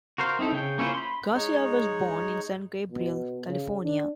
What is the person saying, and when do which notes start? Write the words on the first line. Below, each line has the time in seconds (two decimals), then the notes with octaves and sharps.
Garcia was born in San Gabriel, California.
0.18 F#4 A#4 C5 F5
0.39 C4 D#4 E4 A4
0.52 C#3 C#4 G5
0.78 A#3 C#4 E4 F4 C5
0.94 B5 C6
1.34 G#3 D#4 C#5
2.92 B2
3.48 C#3
3.83 D4